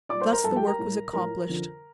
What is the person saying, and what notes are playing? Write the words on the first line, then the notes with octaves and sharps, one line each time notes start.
Thus the work was accomplished.
A#2 G3 D5 D6
C5 C6
A#4 A#5
G2 F3 A4 A5
G4 G5
A#4 A#5
A2 G3
A2 F3 A#4 A#5
F2 D3 F3